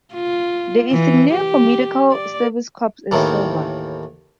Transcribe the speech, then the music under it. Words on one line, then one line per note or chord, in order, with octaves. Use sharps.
The insignia for Medical Service Corps is silver.
F4
E3
G4
D5
D#2 A2 D#3 E3